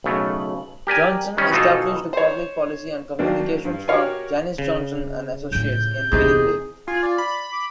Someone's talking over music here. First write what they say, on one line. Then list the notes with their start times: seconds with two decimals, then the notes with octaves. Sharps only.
Johnson established a public policy and communications firm, Janis Johnson and Associates, in Winnipeg.
0.04 B1 C#3 A3
0.87 G4 A#4 D5 G#5
1.37 D#3 G3 C#4
1.52 B2 E3 D#4 F4 A4
2.13 C5 C#5
3.19 D#2 F#3 A#3 C4 D4
3.65 G2
3.88 F#4 G4 A#4 C#5 F5 G#5
4.58 C#3
5.52 A2 F4 G6
6.12 E2 C3 E3 C4 D#4 G#4
6.88 F4 G#5
7.03 D5
7.18 B5
7.52 D6